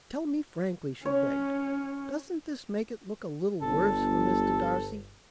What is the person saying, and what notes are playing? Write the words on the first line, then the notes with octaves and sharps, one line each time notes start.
"Tell me, frankly," she begged, "doesn't this make it look a little worse for Mr. Darcy?"
C#4 C#5
G1 A4